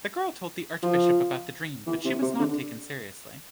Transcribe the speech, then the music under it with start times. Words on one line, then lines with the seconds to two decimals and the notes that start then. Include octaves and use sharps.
The girl told the archbishop about the dream but she was not taken seriously.
0.83 F3
1.87 E3
2.05 C3
2.22 C3
2.39 D3